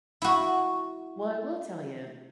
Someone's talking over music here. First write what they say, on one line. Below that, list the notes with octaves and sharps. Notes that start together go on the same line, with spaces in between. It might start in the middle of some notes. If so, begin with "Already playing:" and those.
Well, I will tell you,
E4 F#4